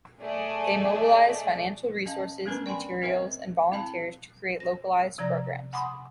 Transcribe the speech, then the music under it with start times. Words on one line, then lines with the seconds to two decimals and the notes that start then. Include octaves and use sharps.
They mobilize financial resources, materials, and volunteers to create localized programs.
0.22 A3 G#4 D5 D#5
2.06 C#4 D#5 F5 A5
2.46 A3 B3 C#4 D4 A#4 B4
2.66 D5 G5 G#5 B5 C6
3.02 C4 A#4 C5 D#5 E5
3.72 C4 E4 F5 A5
4.60 A#6
5.18 C3 F3 D5 A#5 A#6
5.73 F#5 G#5 B5 C6 D6 D#6